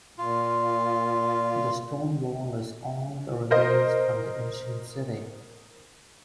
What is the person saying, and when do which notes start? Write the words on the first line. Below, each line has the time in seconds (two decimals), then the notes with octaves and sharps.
The stone wall is all the remains from the ancient city.
0.18 A#2 F4
3.51 A#4 C5 D#5